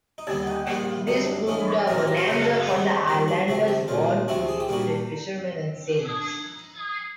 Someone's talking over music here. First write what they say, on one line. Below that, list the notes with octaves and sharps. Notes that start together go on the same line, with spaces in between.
This proved a bonanza for the islanders, born to be fishermen and sailors.
D#4
D#2 D3 G3 B3 D4
D#4
A#1 A#2 G3 B3 D4
F#2 D3 G3 B3 D4
G#2 E3 G#3 B3 C#4
A2 F#3 A3 C4 D#4
F4
G4
F#4
F#2 C#3 F#3 A#3
G#2 D#3 G3 C4
F2 D3 G3 A#3 F4
F#4
C#2 C3 F3 A3 C4 F#4
G4
C2 A#2 F#3 F4
D2 C3 F3 A3 C4 F#4
G#4
G4
A#2 G3 A#3 F#4